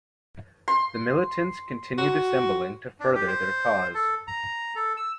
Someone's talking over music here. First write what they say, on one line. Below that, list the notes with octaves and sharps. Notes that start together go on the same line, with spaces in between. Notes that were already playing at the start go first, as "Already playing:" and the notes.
The militants continued assembling to further their cause.
C6
F#4
D4
G4
C5
A4
A#5
A4
E6